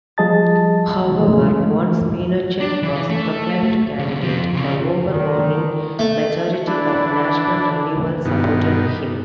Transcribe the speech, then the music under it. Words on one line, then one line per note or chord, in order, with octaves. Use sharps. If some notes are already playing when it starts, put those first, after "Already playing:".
However, once Pinochet was proclaimed candidate, the overwhelming majority of National Renewal supported him.
F3 G3 G#4 D#5 A5 A6
E3 G#3 A3
D4
E3
A3
D3 A#3
F3 C4
C#3 F4
D#3
A3
E3 D4
G2 B2 D#3